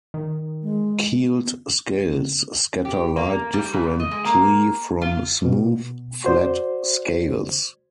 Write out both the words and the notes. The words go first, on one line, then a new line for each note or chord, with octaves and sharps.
Keeled scales scatter light differently from smooth, flat scales.
D#3
G#3
G4
A#3
G3
F2
D#5
G#3
A#3
F4
B2
F#4 C5 D5